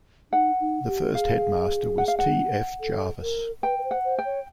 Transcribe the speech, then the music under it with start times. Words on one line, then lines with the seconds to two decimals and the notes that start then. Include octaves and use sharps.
The first headmaster was T F Jarvis.
0.32 D#4 F#5
0.60 D#4
0.87 G4
1.15 G#4 F5
1.98 F#5
2.08 F5
2.19 F#5
2.80 A4
3.22 A#4
3.63 B4 G5
3.79 B4
3.84 C5
3.91 F#5
4.04 C5
4.18 G5
4.25 C#5